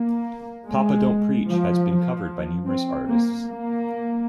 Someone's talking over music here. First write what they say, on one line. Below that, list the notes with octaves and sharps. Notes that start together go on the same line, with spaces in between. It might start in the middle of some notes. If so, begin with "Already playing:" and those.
"Papa Don't Preach" has been covered by numerous artists.
Already playing: A#3
G#3
F3
F3
C4
A#3
A#3